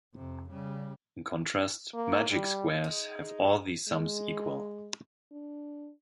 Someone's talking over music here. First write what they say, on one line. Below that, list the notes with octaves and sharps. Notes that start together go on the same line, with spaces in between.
In contrast, magic squares have all these sums equal.
F2 C3
C#3 G3
A#3
G3
G#3 D#4
G#3
D4